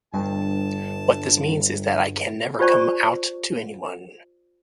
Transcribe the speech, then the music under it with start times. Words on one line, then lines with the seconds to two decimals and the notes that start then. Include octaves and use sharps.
What this means is that I can never come out to anyone.
0.14 G1 G2 A5
2.59 F4 G4 C5 D5 A5 C#6